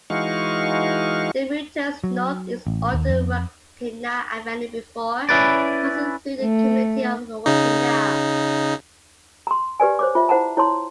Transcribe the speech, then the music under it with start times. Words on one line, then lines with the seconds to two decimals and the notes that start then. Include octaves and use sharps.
The route turns northeast onto Waukena Avenue before passing through the community of Waukena.
0.10 E3 G#3 D#4 F#4 F5 C#6
2.04 F#3
2.67 A1
2.93 D#2
3.09 F2
5.29 C#4 E4 B4 D5
6.42 A3
7.46 C#3 D#4
9.47 A#5 C6
9.80 G4 B4 D5 G#5
9.99 C5 C#5 D6
10.15 F4 C5 E5
10.29 E4 C5 F#5 A5 A#5
10.57 E4 C#5 A5 C6